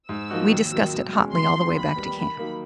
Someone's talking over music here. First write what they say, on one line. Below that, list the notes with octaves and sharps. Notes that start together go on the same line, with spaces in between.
We discussed it hotly all the way back to camp.
G#2 E6
F3 A#3 D#4 F#4
D#2
D#3 F#3
B2
G#3 C#4
D2 C6
D3 F3
D#2 B5
D#3 G3 B3
D#3 B5
F#3 A#3 D#4